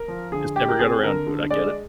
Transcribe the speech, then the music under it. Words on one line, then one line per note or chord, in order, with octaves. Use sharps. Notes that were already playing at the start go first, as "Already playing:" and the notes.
Just never got around to it, I get it.
Already playing: A#4
F3
D3 G#4
G#3 G4
A#4
C4 G#4
D3 A#4
D3
G#3 D5